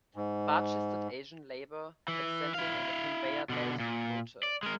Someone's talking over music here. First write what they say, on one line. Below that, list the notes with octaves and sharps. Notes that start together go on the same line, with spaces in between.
Barechested Asian laborer examining a conveyor belt motor.
G#2
E3
E4 F5
B2 D3
A#2
D5
G#3 A#4